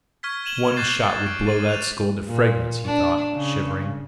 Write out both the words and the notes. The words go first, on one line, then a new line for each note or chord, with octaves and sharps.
One shot would blow that skull into fragments, he thought, shivering.
C#6 F6 G#6 B6
G#6 D#7 E7 F#7 G7
C#6 D6 F#6 G6 A6 C7
A6 D7
A6 D#7
D#7 F7
A#2
D4
C#3